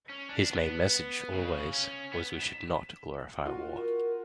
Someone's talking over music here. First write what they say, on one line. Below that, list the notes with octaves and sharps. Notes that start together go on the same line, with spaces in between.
His main message always was we should not glorify war.
C#4
D4
B3
C#3
C#4
B3
B6 E7
F4 F#4
A#4